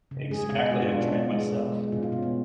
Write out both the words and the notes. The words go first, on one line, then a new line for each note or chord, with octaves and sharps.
Exactly. I've tried myself. Yeah.
C#3
G#3 G#4
B2
G#3 F#4
F4
B2 D4
C#4
G#3 B3
G#3
B2
G#3
B2 F4
F4
B2 C#4
B3